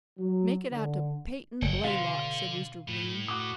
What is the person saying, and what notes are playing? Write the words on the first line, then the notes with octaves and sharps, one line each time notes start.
"Make it out to Peyton Blaylock," said Mr. Bloom.
F#3
D3
F#1 F#5 G5
B2 D3 F5 C6
A2
F#4 D6 D#6